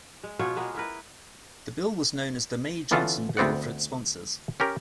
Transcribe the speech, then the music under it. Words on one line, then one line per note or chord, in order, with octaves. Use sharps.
The bill was known as the May-Johnson Bill for its sponsors.
G#3
B2 B3 F4 C#5
G#3 A#3 B3 G#4
B3 E4 A#4 B4
D3 E3 B3 C#4 F4 A4
D2 B3 C4 D5 F#5
C#4 G4 A#4